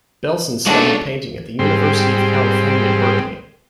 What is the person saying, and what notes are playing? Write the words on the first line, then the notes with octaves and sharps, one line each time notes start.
Belson studied painting at the University of California, Berkeley.
G#3 A3 D4 D#4 F4 F#4 A4 C#5
G#2 G3 C4